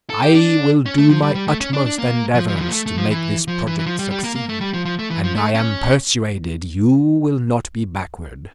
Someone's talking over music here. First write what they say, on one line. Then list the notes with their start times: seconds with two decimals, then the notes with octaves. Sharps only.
I will do my utmost endeavours to make this project succeed, and I am persuaded you will not be backward.
0.10 A4
0.22 G4
0.35 D4
0.86 C#4
0.98 A3
1.10 F3
1.22 G3
1.35 G3
1.48 A3
1.60 C#4
1.73 D4
1.86 D4
1.98 A#3
2.35 F3
2.48 F3
2.56 E3
2.61 F3
2.68 A#3
2.72 A3
2.86 A3
2.98 F3
3.10 E3
3.48 F3
3.67 E3
3.79 E3
3.86 F3
3.99 G3
4.11 G3
4.24 A#3
4.35 A#3
4.49 A3
4.61 G3
4.74 F3
4.85 F3
4.99 A3
5.10 E3
5.24 F3
5.35 A3
5.54 C#4